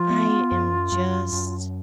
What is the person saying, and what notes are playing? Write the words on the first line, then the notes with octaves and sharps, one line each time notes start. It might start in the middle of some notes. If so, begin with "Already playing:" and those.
I am just
Already playing: F3 F4
B3
F#2
F#2
F#2